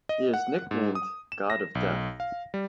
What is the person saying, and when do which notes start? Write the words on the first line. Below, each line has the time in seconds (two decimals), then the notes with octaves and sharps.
He is nicknamed "God of Death".
0.09 D#5
0.34 F#5
0.71 G#2
0.95 D#6
1.32 E7
1.50 A#6
1.75 B1
2.20 F5
2.54 G3